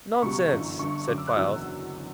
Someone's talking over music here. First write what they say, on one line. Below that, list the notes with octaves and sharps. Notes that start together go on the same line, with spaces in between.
"Nonsense," said Files.
B5
C#2 B2 G3 C#6
G1 F#2 E3
G1 G2 D3 C#6
F#2 D3 F#3 D6
E6
F#6
F#1 E2 D3 F#3 E6